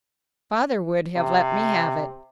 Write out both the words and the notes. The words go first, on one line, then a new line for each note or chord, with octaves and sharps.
Father would have let me have it.
C3